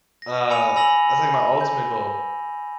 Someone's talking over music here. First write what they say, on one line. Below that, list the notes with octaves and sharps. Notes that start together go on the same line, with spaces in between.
uh, that's, like, my ultimate goal,
A#6
G#5 B5 D6 C#7 D#7 F7
G#5 B5 E6 A#6 F7 F#7
G6